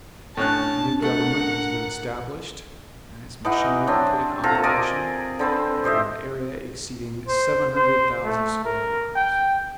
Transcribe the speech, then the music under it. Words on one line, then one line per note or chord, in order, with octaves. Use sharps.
A new Government has been established, and its machinery put in operation over an area exceeding seven hundred thousand square miles.
A2 C#4 D4 A5 F#6
A3 A#4 F#5
E3 D#4 D#5 F#5
F#3 C4 D4
C3 F4 A4 A#5
A#4 D5 D#5 G#5
D3 C4 B4
G4 C5 D#5 E5
C5
C5
A3
A#4
G5